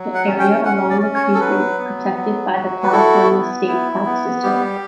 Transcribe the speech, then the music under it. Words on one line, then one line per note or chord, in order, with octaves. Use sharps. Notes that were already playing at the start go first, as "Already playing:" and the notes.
The area along the creek is protected by the California State Parks system.
Already playing: F#3
F#5
C#4
G5
C#4 F#5
D5
C#4
C#5
A4
F#3 B4
B3
F#3
F#4
B4
E4 A4
B3
E4
B3
G3 G4